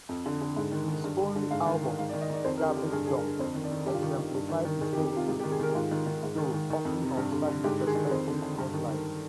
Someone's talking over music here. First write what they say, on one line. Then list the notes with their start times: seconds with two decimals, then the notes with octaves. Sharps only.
His only album, "Garbage Dump", exemplified his negative, though often nostalgic perspective toward life.
0.09 F2
0.26 D3
0.41 D3
0.56 G#2
0.72 D#3
0.88 D#3
1.04 G2
1.19 D3
1.36 D3
1.51 G#2 F5
1.66 D#3
1.82 D#3
1.99 G#2 F5
2.09 D5
2.13 D#3
2.21 D#5
2.30 D#3 D5
2.45 F2 C5
2.58 A#4
2.61 D3
2.69 G4
2.77 D3
2.92 G2 G#4
3.06 D3 G#4
3.17 A#4
3.24 D3
3.39 F2 C5
3.55 D#3
3.64 D5
3.72 D#3
3.86 G2 G4
3.94 F4
4.02 D#3 G4
4.18 D#3
4.34 G2
4.49 D#3
4.65 D#3
4.80 D#3 G#4
4.93 G4
4.97 F2
5.05 G4
5.12 C3 F4
5.28 G#2 G4
5.40 G4
5.44 D#3
5.52 G#4
5.60 D#3 A#4
5.69 G4
5.75 G#2 F4
5.91 D#3
6.06 D#3
6.23 G#2
6.38 D#3
6.54 D#3
6.70 D#3
6.85 F2
7.01 C3
7.17 G2
7.32 D3
7.48 D3
7.64 G#2 G4
7.80 D#3
7.87 G#4
7.95 D#3
8.11 F2 C5
8.27 D3
8.42 D3
8.58 G2
8.74 D#3
8.89 D#3